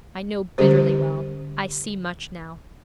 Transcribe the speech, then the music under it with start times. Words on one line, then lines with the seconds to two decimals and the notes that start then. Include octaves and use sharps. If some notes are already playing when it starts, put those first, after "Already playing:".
I know bitterly well; I see much now.
0.58 D3 G3 C#4 G4 C5